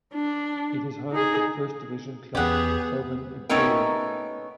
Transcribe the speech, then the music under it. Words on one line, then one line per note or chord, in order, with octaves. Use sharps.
It is home to first division club Coban Imperial.
D4
D#4 G#4
E2 B3 C#4 G4 G#4 F#5
A3 B3 C#4 D#4 A#4 G5